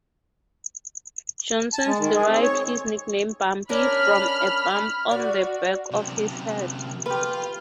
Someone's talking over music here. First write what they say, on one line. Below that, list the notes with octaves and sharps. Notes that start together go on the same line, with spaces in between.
Johnson derived his nickname "Bumpy" from a bump on the back of his head.
A5
G#3
D#3
G#4
C4
C#5
C#4 D4 A#4 B5 F6
F#4 D5 F5
F#2 C3
F4 G4 B4